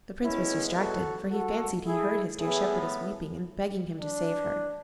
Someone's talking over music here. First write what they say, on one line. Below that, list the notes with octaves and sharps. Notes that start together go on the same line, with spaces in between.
The Prince was distracted, for he fancied he heard his dear shepherdess weeping and begging him to save her.
A2 G#3 B3 C#4 E4
F#4 A4
F#4 A4
E4 G#4
A2 E3 B3 E4 G#4
D4